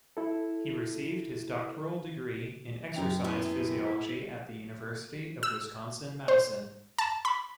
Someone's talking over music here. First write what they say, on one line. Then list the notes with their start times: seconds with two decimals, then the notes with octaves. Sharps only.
He received his doctoral degree in exercise physiology at the University of Wisconsin-Madison.
0.17 E4 A4
2.94 F#2 G5 F7
3.24 B3 E4 G#4 A4
5.43 E6
6.28 C5
6.98 A5
7.25 B5